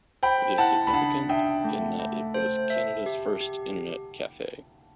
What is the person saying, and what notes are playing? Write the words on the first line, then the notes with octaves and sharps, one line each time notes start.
It is significant in that it was Canada's first internet cafe.
C5 G5 B5
E4 F#5 A5
B5
D4 F#5 A5
D4 E5 G5
A3
A3
C5
E5
G4
G4